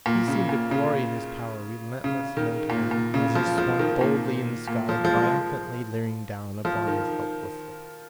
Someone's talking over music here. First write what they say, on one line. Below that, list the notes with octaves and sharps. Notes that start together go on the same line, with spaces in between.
He seemed to glory in his power, relentless and untiring, as he swung boldly in the sky, triumphantly leering down upon his helpless victims.
A#2
C#3
A#2
C#3
C#3
D#3
A#2
A#2
C#3
F3
F3
D#3
A#2
A#2
F3
F3
G#3
F3
D#3